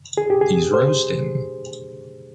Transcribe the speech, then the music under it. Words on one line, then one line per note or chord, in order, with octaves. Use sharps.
He’s roasting.
G#4
G4
G#4
C5